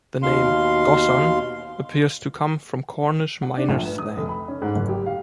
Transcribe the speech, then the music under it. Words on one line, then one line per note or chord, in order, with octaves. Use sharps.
The name "gossan" appears to come from Cornish miner's slang.
D#2 B2 F5 C6
F#5
D4
A#1
B4
D#6
F1
B5
C#4
G#2
F#1
G4
F5